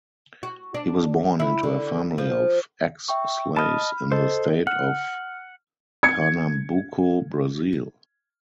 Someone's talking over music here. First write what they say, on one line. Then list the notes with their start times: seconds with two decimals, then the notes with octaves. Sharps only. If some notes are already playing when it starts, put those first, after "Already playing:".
He was born into a family of ex-slaves in the state of Pernambuco, Brazil.
0.43 F#4
0.74 D4
1.40 E4
1.63 D3
2.18 F3
3.08 E5 G5 C#6
3.56 D#5 A5 B5 F6
4.12 A4 C5 D#5
4.67 F#5 F6
6.03 G#6 C#7